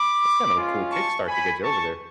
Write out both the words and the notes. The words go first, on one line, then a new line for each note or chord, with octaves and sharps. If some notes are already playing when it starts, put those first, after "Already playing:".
that's kind of a cool kick start to get you over there.
Already playing: B5 D6
G#3 C#4 F4
A5 C#6
G#5 B5
A5 C#6